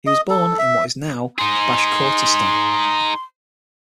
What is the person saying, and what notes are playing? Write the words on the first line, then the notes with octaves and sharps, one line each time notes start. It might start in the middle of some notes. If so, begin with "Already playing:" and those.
He was born in what is now Bashkortostan.
D#5
A4
E5
D#4 G#4 C6